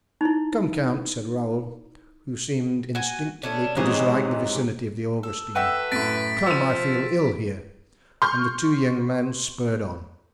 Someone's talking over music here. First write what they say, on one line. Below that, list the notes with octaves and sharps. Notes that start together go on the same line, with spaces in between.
"Come, count," said Raoul, who seemed instinctively to dislike the vicinity of the Augustine; "come, I feel ill here," and the two young men spurred on.
D#4 E4
F#4 G#5
A3 C#4 D4
G#2 C3 E3 C5 C#5 D#5
A4
F#4 A4 B4 E5 F#5 G5
F#2 A2 A6 B6 D7
F3 C4 E6 D#7
C6 C#6 F6 G6